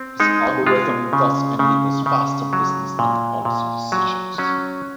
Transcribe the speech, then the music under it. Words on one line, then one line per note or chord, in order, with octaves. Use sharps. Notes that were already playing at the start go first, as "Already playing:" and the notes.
His algorithm thus enables faster business and policy decisions.
Already playing: C4
G#3 D#4
G#3 F4
C#3
C#3
C#3
F#3
A#2
A#2
F#3
F#3 C#4